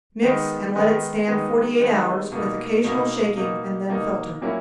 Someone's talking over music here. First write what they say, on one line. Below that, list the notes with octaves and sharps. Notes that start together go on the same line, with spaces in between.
Mix and let it stand forty-eight hours, with occasional shaking, and then filter.
D#3 G#3 B3 D#4
D#3 G#3 B3 D#4
D#3 G#3 B3 D#4
D#3 G#3 B3 D#4
B2 A#3 D#4
B2 A#3 D#4
B2 A#3 D#4
B2 A#3 D#4
A#2 F#3 A#3 C#4 E4